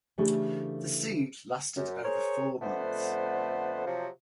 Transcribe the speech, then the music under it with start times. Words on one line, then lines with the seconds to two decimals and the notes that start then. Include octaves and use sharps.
The siege lasted over four months.
0.18 C#3 E3 A3 D4 E4 G4
1.76 F#2
2.04 G#4 A#4 C5 C#5
2.62 F2 D3 A3 B3 C5 F#5
3.86 C3 F3 F#3